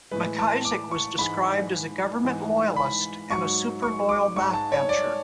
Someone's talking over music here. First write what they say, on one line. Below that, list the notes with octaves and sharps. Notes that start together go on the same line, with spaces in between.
McIsaac was described as a 'government loyalist' and a "super loyal backbencher".
A2 E3 G#3 B4
A5
D6
C#6
G#2 E3 G#3 B5
G#2 E3 G#3
B5
G#2 F#3 C#6
C#6
D6
G#2 G#3 C#6
A5
C#5
D5